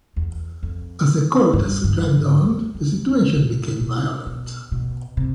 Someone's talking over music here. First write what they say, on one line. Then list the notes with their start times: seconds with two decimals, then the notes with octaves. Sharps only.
As the "Cortes" dragged on, the situation became violent.
0.16 E2
0.63 F2
1.53 G2
1.84 G2
2.14 G#2
2.44 F#2
2.75 F2
3.05 E2
3.35 F2
3.81 B2
4.26 B2
4.72 B2
5.17 C3